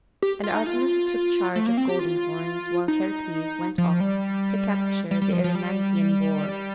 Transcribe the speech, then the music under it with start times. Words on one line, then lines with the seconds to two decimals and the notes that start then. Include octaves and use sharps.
And Artemis took charge of Golden Horns while Heracles went off to capture the Erymanthean boar.
0.22 G4
0.44 F4
0.55 D#4
0.66 F4
1.56 A3
1.66 A#3
1.77 C4
1.89 G4
1.99 F4
2.88 D#4
3.78 F3
4.00 G3
5.11 G3
5.22 G3
5.33 F3
5.44 F3
5.55 G3